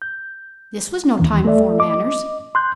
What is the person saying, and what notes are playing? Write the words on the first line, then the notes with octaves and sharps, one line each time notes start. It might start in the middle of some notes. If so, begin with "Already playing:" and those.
This was no time for manners.
G6
D#2 E3
A3 A4 D5 E5
D#5 D6
C6 F#6 G6